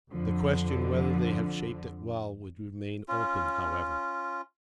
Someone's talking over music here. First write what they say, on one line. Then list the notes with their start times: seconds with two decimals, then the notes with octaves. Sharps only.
The question whether they have shaped it well would remain open, however.
0.11 F2 D3 F3
3.08 C#4 F4